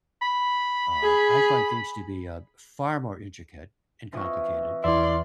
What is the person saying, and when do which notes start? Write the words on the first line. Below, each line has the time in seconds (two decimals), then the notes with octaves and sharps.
uh, I find things to be, uh, far more intricate and complicated.
0.22 B5
1.03 G#4
4.13 E3 C4 F4 D#5 C#6
4.84 E2 E4 D5 E5 C6 F6